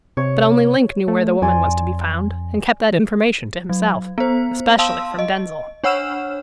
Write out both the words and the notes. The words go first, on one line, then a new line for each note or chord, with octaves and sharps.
But only Link knew where the woman was to be found, and kept that information to himself--especially from Denzil.
C3 C#5
A3
F2 D5 G#5 C6
F#3
B3 C5
F5 A5 C6 E6
D#5
D4 C#5 F#5 E6 F6 E7